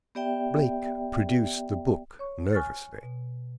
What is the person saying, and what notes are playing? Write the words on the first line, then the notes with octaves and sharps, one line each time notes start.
Blake produced the book nervously.
B3 G4 D5 E5 G5
C#5 C#6
G#5 C#6 F6 F#6 A6
B2